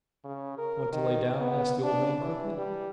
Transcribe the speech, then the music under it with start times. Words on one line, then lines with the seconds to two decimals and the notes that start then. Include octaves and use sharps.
"Want to lay down?" asked the old man quickly.
0.25 C#3
0.58 A#4
0.93 D#3
1.40 B3
1.83 D4
2.21 E3
2.57 G3